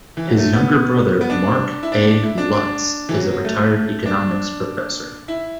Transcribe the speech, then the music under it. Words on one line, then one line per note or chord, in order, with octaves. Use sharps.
His younger brother Mark A. Lutz is a retired economics professor.
E3
F#3
A3
B3
B3
D4
E4
D4
E4
D4
D4
E3
F#3
F#3
A3
D4
E4